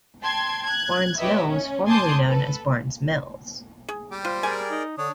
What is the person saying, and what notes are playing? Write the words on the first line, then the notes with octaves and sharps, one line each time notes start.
Barnes Mill was formerly known as Barnes Mills.
G5 A5 C6 G#6
F#6 G#6
G4 B4 C#5 D#5 E5
C#4
G#5 A5 C6 D6 D#6 G6
A4 B4
G#4
G3 G4 D6
F4 C5
G#4 A#4 D5 G#5
D#4
D3 D4 C#5 D#6